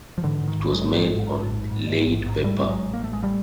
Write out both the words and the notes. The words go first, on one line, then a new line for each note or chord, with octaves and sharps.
It was made on laid paper.
F3
G#2 D3 E3
G#2
D#3
A1
F#3 G#3
G#2
A1
G#2
A1
G#2
G#2
G#2
A1
G#2
G#2 G3 A3
A1 G3
F#3 G#3
A1
A#3
A1 A3
G#3
G3 A3